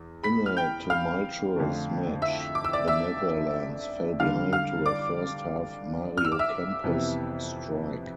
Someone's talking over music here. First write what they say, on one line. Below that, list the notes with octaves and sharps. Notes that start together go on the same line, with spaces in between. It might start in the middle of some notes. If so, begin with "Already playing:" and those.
In a tumultuous match, the Netherlands fell behind to a first-half Mario Kempes strike.
Already playing: E2
B5 B6
F6
G5 G6
F5 F6
F2 D3 A3 D4
E5 E6
D6
E6
D5 D6
E5 E6
D3 G3 D4 F5 F6
F5 F6
D5 D6
F6
E6
D6
E5 E6
F2 C3 E3 B3